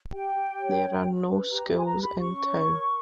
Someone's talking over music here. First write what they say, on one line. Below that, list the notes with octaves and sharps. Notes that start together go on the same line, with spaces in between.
There are no schools in town.
G4 G5
G4
C#5
C#4
C#4
B4
G4 A#5
E5
B4 G#5
A#5
G4
B5
C#4 C#6
C#5
A#4